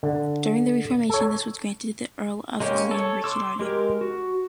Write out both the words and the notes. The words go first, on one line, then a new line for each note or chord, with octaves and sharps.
During the reformation this was granted to the Earl of Clanricarde.
D3
A4 C#5
G#3 A#3 C#4 G4
A4 C#5
C6 D6 E6
G#3 G4 A#4
F#4